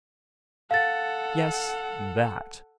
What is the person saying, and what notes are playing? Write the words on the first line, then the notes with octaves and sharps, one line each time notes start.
Yes, that.
A4 F5 F#5 A6